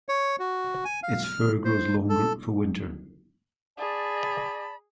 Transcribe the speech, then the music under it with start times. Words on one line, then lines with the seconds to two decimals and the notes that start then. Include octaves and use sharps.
Its fur grows longer for winter.
0.09 C#5
0.39 F#4
0.85 G#5
1.03 F5
1.23 F6
1.65 C5
2.09 A4
3.78 G#4 D5 A5 B5